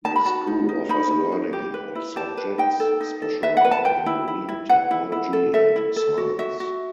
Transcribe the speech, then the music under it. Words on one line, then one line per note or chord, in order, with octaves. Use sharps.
The school offers learning in all subjects, specializing in marine technology and science.
D#4 A5
B5
F#4 A5
D#4
D#4
D#4 B5
D#4
D#4
G4
B4
E4
G4 A5
B4
D#4 G5
A4
D#4
A4
B4 E5
F#5
B4
A5
B4 G5
E4
E4
E4
B4 F#5
E4
E4
A4
A4 E5
E4
A4
F#4
F#4 E5
F#4